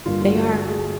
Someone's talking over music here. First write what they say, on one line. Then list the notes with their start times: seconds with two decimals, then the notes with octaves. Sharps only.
They are.
0.05 G2 D3 G3 A#3 F4
0.22 F4
0.27 F#4
0.46 F#4
0.67 G#4